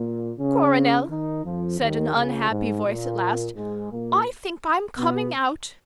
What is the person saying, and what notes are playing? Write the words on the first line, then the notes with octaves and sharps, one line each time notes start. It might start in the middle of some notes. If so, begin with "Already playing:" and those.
"Coronel," said an unhappy voice at last, "I think I'm coming out."
Already playing: A#2 A#3
C#3 C#4
D#3 D#4
F2 F3
D#2 D#3
C#2 C#3
G#2
A#2
G#2 G#3
A#2 A#3
B2 B3